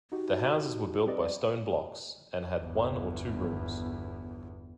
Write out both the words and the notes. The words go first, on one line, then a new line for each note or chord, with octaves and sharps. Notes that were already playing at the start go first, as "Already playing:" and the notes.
The houses were built by stone blocks and had one or two rooms.
D#4 F#4 G4
G3 C4 G4 B4 D5 D#5
G1 E2